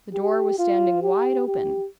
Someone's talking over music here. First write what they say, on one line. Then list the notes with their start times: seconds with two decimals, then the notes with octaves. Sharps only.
The door was standing wide open.
0.14 G4
0.59 F4
1.03 G4
1.47 G4